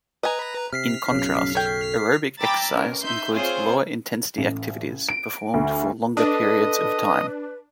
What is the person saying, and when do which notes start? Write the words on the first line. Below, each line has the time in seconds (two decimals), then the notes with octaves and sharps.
In contrast, aerobic exercise includes lower intensity activities performed for longer periods of time.
0.23 B4 D#5 G#5 A#5
0.73 C3 F6 B6 C7
1.11 B1 F#2 C#3 C#4
1.55 A4 C#5 G5
2.41 G5 A#5 B5 D6 E6 A6
2.72 C#2 A#4
3.01 D#4 E5 C6 G6
3.32 C4 F4 G#4 C5 C#5
4.38 A1
5.09 D7
5.54 D2
6.17 D4 A4 B4 D#5